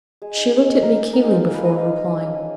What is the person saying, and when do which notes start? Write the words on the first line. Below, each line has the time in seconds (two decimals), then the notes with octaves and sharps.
She looked at me keenly before replying.
0.22 G#3 G#4
0.37 D#4
0.52 G#3
0.68 G#3
0.83 A#3 A#4
0.98 D#4
1.13 D#4 A#4
1.23 G#4
1.28 D#4 F4
1.44 A#3
1.54 A#3 B4
1.64 D#5
1.74 A#3 F5
1.89 D#4
2.04 F3
2.19 C#4
2.35 G#3